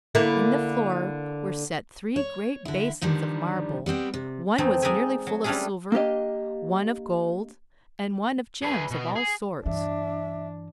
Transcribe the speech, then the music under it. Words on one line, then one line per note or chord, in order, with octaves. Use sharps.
In the floor were set three great basins of marble: one was nearly full of silver, one of gold, and one of gems of all sorts.
D3 A#3 E4
C#5
D3 E4
G2 D3 D#3 F3 G3
G3 B3 C4 G5
C3
F2 E3 A3 C4 D#4
G#3 D#4 D5 E5 G#5
F#3
G3 A3 C#4 D4 E4 G#4
A#3 D4 G4 D#5
G#4 B4
B2
G#4
G2 E3 D4 E5